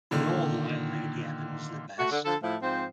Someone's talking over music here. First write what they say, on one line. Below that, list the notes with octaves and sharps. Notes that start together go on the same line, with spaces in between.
We all liked Lady Evans the best.
A#2 D3 D#3
A3 F#4
D3
D3 F3 A4
A2 F3 A3 E4
G#2 F3 C4 C5